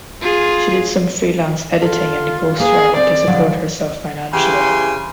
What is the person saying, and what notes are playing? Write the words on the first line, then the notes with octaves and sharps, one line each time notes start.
She did some freelance editing and ghostwriting to support herself financially.
F4 G#4
F4 A4
A#3 G#4 B4
C4 D5
D3 F3 F#3
C#3 E3 G4 G5 G#5 C6